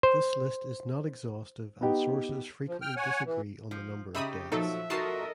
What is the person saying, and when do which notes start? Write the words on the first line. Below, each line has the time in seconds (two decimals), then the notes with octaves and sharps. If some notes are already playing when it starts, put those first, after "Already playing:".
This list is not exhaustive and sources frequently disagree on the number of deaths.
0.03 C5
1.81 B3 D#4 G4
2.68 F3
2.82 G5 F6
2.97 C#5 F#5 G#5
3.26 E3
3.71 F3
4.15 C#3 D#4 G4 E5 B5 D#6
4.52 A#2 F3 F#3 D#4 A4 E5
4.90 D#4 F4 F#4 A4 A#4 D#5 A5 C7